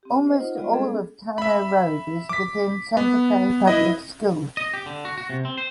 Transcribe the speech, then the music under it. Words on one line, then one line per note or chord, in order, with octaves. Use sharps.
Almost all of Tano Road is within Santa Fe Public Schools.
C4 G4
C5 D#5
D#4 F4 F#5
G3 G#3 B3 F4 D#5
G#3 B3 C#4 D4 G#4 A4
E5 B5
D6 B6
B3
E4 B4 D#5
D#5
G4
D3
F#4
F#4
C3
C4
C5